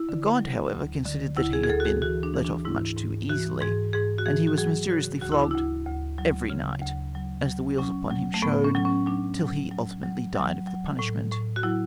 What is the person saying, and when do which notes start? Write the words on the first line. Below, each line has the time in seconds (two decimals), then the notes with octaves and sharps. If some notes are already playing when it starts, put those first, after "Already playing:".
The god, however, considered that he had been let off much too easily; and he was mysteriously flogged every night, as the weals upon him showed, till he ultimately died of the punishment.
Already playing: E4
0.09 D3
0.41 F#3
0.72 D2
1.05 D3
1.37 D2 E4
1.53 G#4
1.64 G#4
1.69 D2 A4
1.80 F#4
1.85 G#4
2.02 E3 F#4
2.23 D4
2.34 E3
2.45 D4
2.65 G#2 E4
2.97 G#2
3.29 E3 F#4
3.61 G#2 G#4
3.93 G#2 G#4
4.18 F#4
4.26 E3 G#4
4.47 F#4
4.58 F#3 G#4
4.90 C#3 F#4
5.22 D2 F#4
5.32 E4
5.42 D4
5.51 D2 E4
5.86 D2
6.18 F#3
6.50 C#3
6.82 D2
7.15 F#3
7.46 F#3
7.78 F#3 C#4
8.11 F#3
8.34 A3
8.42 A2 B3
8.65 C#4
8.75 F#3
8.85 C#4
9.06 F#3 D4
9.39 F#3
9.71 F#3
10.03 F#3
10.36 F#3
10.67 F#3
10.99 A2
11.32 A2
11.56 F#4
11.63 F#3 E4